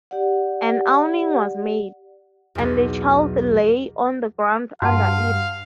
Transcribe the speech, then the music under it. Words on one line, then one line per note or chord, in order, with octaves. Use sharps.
An awning was made, and the child lay on the ground under it.
G4 D5 F#5
B1 E2
G2 F#4 F5 F#5 A5